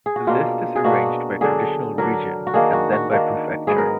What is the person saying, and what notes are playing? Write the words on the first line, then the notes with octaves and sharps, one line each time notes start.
The list is arranged by traditional region and then by prefecture.
G#4
F#4
B2 A#3 D4 F4
G#4
B2 A#3 D4 F#4
D3 F#3 D4 G#4
D3 F#3 D4 A#4
F#4
D#3 A#3 D4 G#4
F#4
F#4
D#3 A#3 D4 F#4
G#2 F#3 B3 G#4
A#4